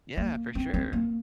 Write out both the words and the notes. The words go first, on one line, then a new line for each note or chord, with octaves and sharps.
Yeah, for sure.
A#3
C4
C4
A#3